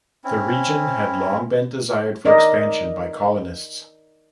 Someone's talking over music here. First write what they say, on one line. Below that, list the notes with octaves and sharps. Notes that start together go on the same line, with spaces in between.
The region had long been desired for expansion by colonists.
C4 C#4 E4
D#4 A#4 D5 D#5